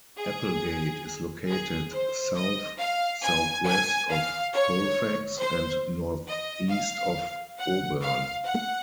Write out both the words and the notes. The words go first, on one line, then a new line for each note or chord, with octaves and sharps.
Applegate is located south-southwest of Colfax, and northeast of Auburn.
G#4
G#4
C5
D#5
F5
G#5
G#5
F5
C#5
C5
D#5
F5
F#5
F5
F#5